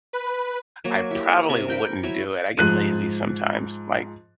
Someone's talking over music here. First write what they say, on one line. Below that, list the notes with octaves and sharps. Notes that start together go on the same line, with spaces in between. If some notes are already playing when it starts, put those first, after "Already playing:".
I probably wouldn't do it, I get lazy sometimes, like
B4
F#3 A#3 F#4 C#5
E4 G4
C3 C6 C#6
A#4 G5 B5
F#3 E4 C#5
G#2 F3 F#6 D#7